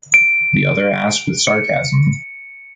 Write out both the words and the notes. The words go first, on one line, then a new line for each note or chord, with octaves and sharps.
The other asked with sarcasm.
D7
C#7